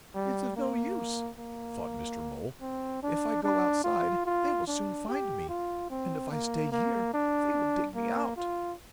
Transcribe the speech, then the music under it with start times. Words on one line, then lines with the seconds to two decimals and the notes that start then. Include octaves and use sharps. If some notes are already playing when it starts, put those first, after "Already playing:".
'It's of no use,' thought Mr. Mole. 'If I go outside, they will soon find me, and if I stay here, they will dig me out.
0.15 G3
0.56 A#3
1.38 A#3
2.61 C4
3.03 D4
3.43 D4
3.84 F4
4.26 F4
4.67 D4
5.08 G4
5.49 F4
5.89 C4
6.31 A#3
6.72 A#3
7.13 D4
7.95 A#3
8.36 F4